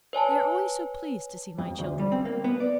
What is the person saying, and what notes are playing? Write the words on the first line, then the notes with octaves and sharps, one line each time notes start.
They are always so pleased to see my children.
B4 C#5 G#5 A5
F2
D2
G3
C4
A#3
B3
D5